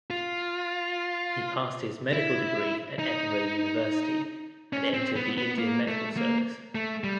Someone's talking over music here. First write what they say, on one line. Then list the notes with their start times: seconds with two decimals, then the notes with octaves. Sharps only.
He passed his medical degree at Edinburgh University and entered the Indian Medical Service.
0.10 F4
2.13 E4
2.99 D#4
4.73 C#4
4.94 C4
5.16 B3
5.38 B3
5.58 A#3
5.88 A3
6.17 A#3
6.75 A3
7.04 G3